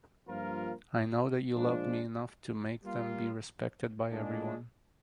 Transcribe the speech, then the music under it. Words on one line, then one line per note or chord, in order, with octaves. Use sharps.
I know that you love me enough to make them be respected by everyone.
G2 F3 A#3 F4 A#4
A#2 F3 G#3 D4
G3 A#3 F4
A#2 G#3 D4